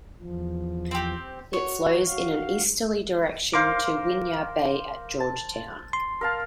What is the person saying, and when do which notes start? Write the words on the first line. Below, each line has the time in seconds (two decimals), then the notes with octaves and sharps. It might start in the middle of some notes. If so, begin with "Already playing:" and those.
It flows in an easterly direction to Winyah Bay at Georgetown.
0.19 E2 F3
0.91 C4 G4
1.53 F#4 C#5
2.07 F#4 F5
3.54 A#4 C5 F5 C6 D6
5.20 A5
5.93 C6
6.21 A#4 F5 A5